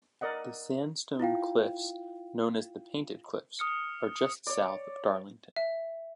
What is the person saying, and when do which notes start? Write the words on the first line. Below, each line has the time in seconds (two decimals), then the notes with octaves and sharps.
The sandstone cliffs known as the Painted Cliffs are just south of Darlington.
0.21 A#4 D5 D#5 F#5
1.20 E4 F4 F5 G5
3.59 D#6 F6 C#7
4.47 C#5 D5
5.56 E5